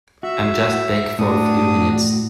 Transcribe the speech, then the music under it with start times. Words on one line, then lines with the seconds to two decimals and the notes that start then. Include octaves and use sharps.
I'm just back for a few minutes.
0.23 F#4 E5
1.19 A2 D4 F#4 D#6